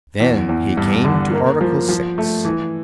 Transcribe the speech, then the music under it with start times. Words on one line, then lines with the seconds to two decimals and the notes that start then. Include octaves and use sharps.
Then he came to Article Six.
0.20 E2
0.49 E2
0.77 G2
1.04 D3
1.33 A#3
1.61 F3
1.89 F3
2.18 A3
2.45 E3